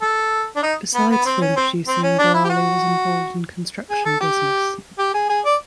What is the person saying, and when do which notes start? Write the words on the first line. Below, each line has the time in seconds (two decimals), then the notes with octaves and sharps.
Besides film producing Bharali was involved in construction business.
0.02 A4
0.56 D4
0.63 D#4
0.94 B3
1.10 B3
1.25 C4
1.41 C#4
1.56 C4
1.88 C4
2.03 C#4
2.19 D4
2.34 E4
2.44 G4
2.50 F#4
3.90 G#4
4.05 A4
4.20 G4
4.99 G4
5.14 G#4
5.29 G#4
5.45 D5